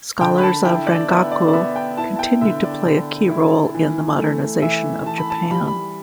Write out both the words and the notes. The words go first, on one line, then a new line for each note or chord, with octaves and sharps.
Scholars of Rangaku continued to play a key role in the modernization of Japan.
D3 G5
B5
A5
E4 G5
D5
B3 E5
D5
D5
B3 E5
G5
E4 A5
A5
G5
D3 E5
D5
D3
E4
E3
A3
E3 E5
E3 A5
B5
A5
G3 B5
B5